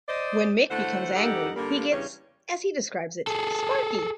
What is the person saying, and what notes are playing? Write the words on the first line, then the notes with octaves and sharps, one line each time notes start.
When Mick becomes angry, he gets, as he describes it, sparky.
C5 D5 D#5
D3 A3 E4 C5 F#5
F2 G3 D#4 G4 A4 F#5
G2 D3 G3 A#3
E2 G2 C#3 G3 C#4 C#5
G#4 A4